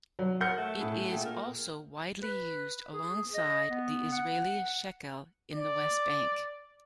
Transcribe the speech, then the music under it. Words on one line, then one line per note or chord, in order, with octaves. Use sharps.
It is also widely used alongside the Israeli shekel in the West Bank.
F#3
A#4 F#5 G6 C#7
A3
A2 E4 G#4
A#2 G#4 G5
A#4
B4
G#4
D#5
B3
F#5
D5